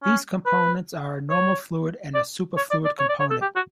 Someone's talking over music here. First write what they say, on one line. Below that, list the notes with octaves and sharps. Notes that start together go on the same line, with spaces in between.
These components are a normal fluid and a superfluid component.
C#4
B4
C#5
D5
C#5
D5
D5
C#5
D5
C#5
A4
G4
F#4